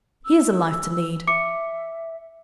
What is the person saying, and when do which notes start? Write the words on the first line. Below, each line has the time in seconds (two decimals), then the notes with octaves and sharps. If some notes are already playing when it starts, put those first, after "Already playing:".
Here's a life to lead!
0.25 E6
1.27 E5 D6 C#7